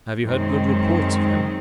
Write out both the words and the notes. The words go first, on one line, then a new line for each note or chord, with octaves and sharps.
"Have you had good reports of him?"
F#2 D#3 G#3 C4